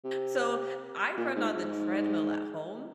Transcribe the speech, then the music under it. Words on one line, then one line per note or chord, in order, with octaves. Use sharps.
So, I run on the treadmill at home,
C3
A#2
G#2
G#2